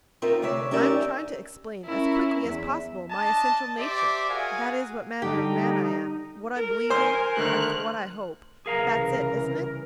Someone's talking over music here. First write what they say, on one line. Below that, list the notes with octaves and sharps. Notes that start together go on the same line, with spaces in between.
I am trying to explain as quickly as possible my essential nature, that is what manner of man I am, what I believe in, and for what I hope, that's it, isn't it?
C4 D#4 F4 A#4 E5
D2 C3 C#5 D5 E5
C#4 D#4 G4 A#4 D5 E5
C#4 E4 A#4
E2 E5
D4 D#5 A5
G4 C5 D5 E5 D6
F#4 G#4 A#4 F5 G#5
D3 G3 D#4 G4
A#4
C5 G#5 C6
D2 D#3 F6 F#6
C2 C#3 E3 G#4 A#4 F5 A#5